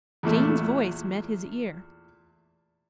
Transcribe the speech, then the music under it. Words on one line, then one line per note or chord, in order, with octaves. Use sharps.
Jane's voice met his ear.
E2 A#2 A3